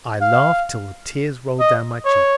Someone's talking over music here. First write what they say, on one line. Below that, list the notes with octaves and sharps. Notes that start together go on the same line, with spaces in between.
I laughed till the tears rolled down my cheeks.
F5
D#5
C#5